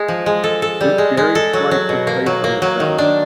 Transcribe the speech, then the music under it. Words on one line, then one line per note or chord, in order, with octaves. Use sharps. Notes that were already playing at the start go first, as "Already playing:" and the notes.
This daring flight took place on the Sabbath.
Already playing: G#3
F3
G#3
A4
A4
G3
G#3
G#3
A4
F#3
F#3
B2
A#3
F#3
A#3
F#3
D#3
D4